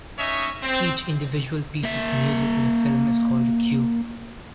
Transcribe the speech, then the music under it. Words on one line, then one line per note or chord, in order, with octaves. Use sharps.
Each individual piece of music in a film is called a "cue".
C#4 D#4 C#5 D#5 E5
C4
A#3 E5